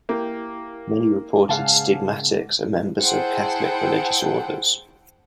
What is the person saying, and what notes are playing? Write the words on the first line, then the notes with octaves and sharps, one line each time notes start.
Many reported stigmatics are members of Catholic religious orders.
A#3 E4 G4 G5
G#2 C#3 G#3 G#4 F5 F#5 A5
E4 G#4 C5 F#5 G5 A5